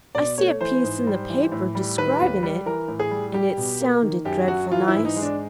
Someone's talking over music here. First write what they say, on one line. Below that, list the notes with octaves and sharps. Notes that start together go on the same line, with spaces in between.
I see a piece in the paper describing it, and it sounded dreadful nice.
B2 D5
A3 C#5
E3 C5
G#2
G3
E3
A2
G3
D#3 B4
D#2
G3
E3 A#4
A2
G#4
G3
G3 G4
B2
A#3
D#3
F#2 G4
F#3 F#4
E3 F4
E4
G#2
D#4
G#3
D4